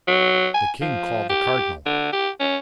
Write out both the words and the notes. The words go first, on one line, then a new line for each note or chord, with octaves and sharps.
The king called the cardinal.
F#3
G#5
F3
G4
D3
G4
C#4